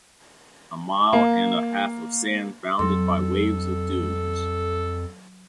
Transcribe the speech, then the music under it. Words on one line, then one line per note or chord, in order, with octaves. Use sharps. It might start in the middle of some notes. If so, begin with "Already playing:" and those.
A mile and a half of sand bounded by waves of dunes.
A#3
F2 F#3 A4 C6